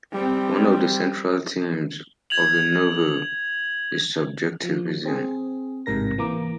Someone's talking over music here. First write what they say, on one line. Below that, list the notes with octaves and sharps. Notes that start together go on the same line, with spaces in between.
One of the central themes of the novel is subjectivism.
G3 C4
G#6 F7 F#7
F3
C4 G#4
A1 G#2 C3 A#4 A#6
E3 A#3 A#5 D6